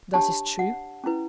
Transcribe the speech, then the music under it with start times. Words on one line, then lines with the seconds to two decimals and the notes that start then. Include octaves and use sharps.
"That is true."
0.13 D4 G4 C#5 A5
0.59 F#5
1.04 C#4 E4 B4